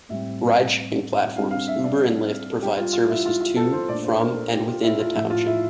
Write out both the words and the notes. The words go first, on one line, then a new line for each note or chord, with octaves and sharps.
Ridesharing platforms Uber and Lyft provide services to, from and within the township.
A2 G3 C4 E5
D3 G3 C4 F5
F5
E5
D5
A4
D3 G3 D4 G4
F4
F4
E4
F4
F4
A4
C5
A#2 A3 D4 D5
C5
A#4
A4
G4
F4
E4
F4
A2 F3 A3 E4
F4
E4